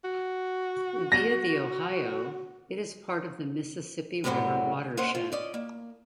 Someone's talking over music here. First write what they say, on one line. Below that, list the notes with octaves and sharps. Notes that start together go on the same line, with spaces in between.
Via the Ohio, it is part of the Mississippi River watershed.
F#4
A#6
F#2 A2 C3 D#3 F#3 G3
A#3 C#4 C5 D#5 F#5
F4
C#4 D5 D#5
A#3